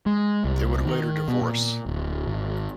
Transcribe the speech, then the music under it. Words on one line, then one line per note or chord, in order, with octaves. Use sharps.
They would later divorce.
G#3
C2
D#3
B2
A#2
D1
G#1